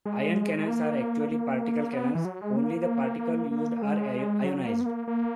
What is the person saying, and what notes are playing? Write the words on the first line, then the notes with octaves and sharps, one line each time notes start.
Ion cannons are actually particle cannons; only the particles used are ionized.
G#3
G#3
A#3
A#3
B3
E3
F#3
G#3
A#3
A#3
A#3
G#3
F#3
A#3
B3
A#3
A#3